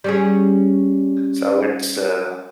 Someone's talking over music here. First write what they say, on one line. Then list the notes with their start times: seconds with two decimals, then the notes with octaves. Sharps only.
So it's uh,
0.04 G3 C#4 G#4